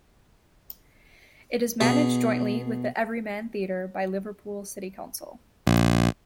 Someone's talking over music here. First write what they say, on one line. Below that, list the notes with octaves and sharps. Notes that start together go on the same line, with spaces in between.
It is managed jointly with the Everyman Theatre by Liverpool City Council.
B2 G#4
A#1